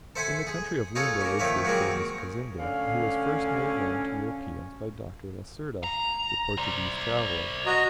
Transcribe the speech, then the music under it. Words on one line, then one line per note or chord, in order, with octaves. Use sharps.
In the country of Lunda lives the famous Cazembe, who was first made known to Europeans by Dr. Lacerda, the Portuguese traveller.
A4 C5 E5 F#5 G#5 C6
G#4
D#4 F4 G#4 A4 C#5
A#3 C#4
D#3 F3 C#5 E5 F5
F#3 G#3 A#3 C4 G#4
D2 D3 C#4 F5
A#5
C5 D5
F#4 D#5 A#5